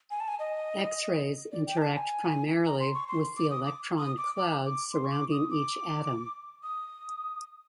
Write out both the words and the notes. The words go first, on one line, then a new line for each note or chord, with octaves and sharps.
X-rays interact primarily with the electron cloud surrounding each atom.
G#5
A5
G#5
D#5
D5
G5
A#5
A5
G#5
A#5
C6
C#6
C6
D6
D#6
D6
D#6
D6
D6
D6
C6
C#6
D6
D#6
D6
D#6